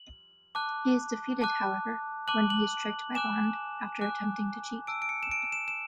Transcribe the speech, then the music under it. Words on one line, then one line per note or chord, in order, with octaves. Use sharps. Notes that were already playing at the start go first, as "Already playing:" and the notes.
He is defeated, however, when he is tricked by Bond after attempting to cheat.
Already playing: F#7
A5 D6 F#6
A5 D6 F#6
A5 D6 F#6 F#7
F#7
G#5 D6 F#6 E7
G#5 D6 F#6
A5 E6 D7
D7
C#7
E7
D7
E7
E7